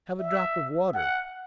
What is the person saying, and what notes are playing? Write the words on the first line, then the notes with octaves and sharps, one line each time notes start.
Have a drop of water!
E5
F#5